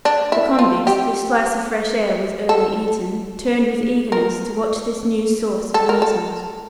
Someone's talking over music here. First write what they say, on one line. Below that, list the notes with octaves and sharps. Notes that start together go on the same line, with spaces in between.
The convicts--whose slice of fresh air was nearly eaten--turned with eagerness to watch this new source of amusement.
D4
E4
F4
G4
A4
A#4
A4
A#4
A4